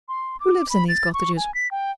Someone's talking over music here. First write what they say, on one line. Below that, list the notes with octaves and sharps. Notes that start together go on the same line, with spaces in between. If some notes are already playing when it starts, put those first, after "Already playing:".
Who lives in these cottages?'
C6
D6
B5
A6
C#6
G#5
B6
G5